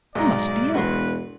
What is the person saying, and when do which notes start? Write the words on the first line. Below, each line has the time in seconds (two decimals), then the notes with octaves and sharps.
He must be ill.
0.15 B1 G#2 G#3 D#4 D5 D#5
0.74 E1 F#4 B4 C6